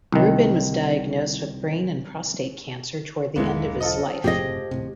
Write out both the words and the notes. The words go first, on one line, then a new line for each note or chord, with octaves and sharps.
Rubin was diagnosed with brain and prostate cancer toward the end of his life.
C2 D#3
E1 B1 D3 E3 G#3 A#3 B3
F3 F4 A4 D#5
F#1 A2 C3 G4 G#4 D#5 G5
D#1 A2 C3